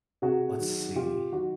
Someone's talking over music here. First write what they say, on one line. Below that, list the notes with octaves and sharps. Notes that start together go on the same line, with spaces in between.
let's see.
C3 F#4 G#4
D#3 F#3
C3 F4 G4
D#3 F#3 F#4